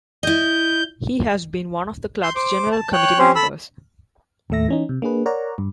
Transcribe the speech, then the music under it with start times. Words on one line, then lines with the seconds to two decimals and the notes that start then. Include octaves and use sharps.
He has been one of the club's general committee members.
0.23 E4 D#5 G6
2.23 C6 G6
2.36 C5 D6
2.72 A5
2.93 C#5 G5 F#6
3.19 C4 C#4 G4 C5
3.36 A4 B5 E6
4.50 D#2 A2 A3 E5 A#6
4.68 E3 C#4 D#4
4.89 C3
5.02 A#3 D4 G#4 B4
5.26 A#4 C#5 D5 F#5 A#5
5.58 G2